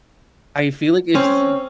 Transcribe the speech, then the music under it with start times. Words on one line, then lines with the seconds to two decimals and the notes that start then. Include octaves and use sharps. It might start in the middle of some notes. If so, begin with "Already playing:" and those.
I feel like if s
1.15 C4 C#4